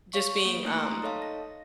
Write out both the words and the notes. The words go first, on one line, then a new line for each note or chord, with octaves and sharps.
just being, um,
C#5 F5 C#6
A#3 D7
A3 D#4 F#6 C#7
A#5 C6 D#6
D#4 A4 C#5 D#5 F5 A5
A#6